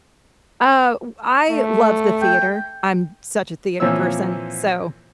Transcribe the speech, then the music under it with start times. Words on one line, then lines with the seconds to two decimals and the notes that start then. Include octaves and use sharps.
Uh, w I love the theater, I'm such a theater person, so
1.50 A3
2.22 G5
3.80 A#2 E3 F3 C4 C#5 E6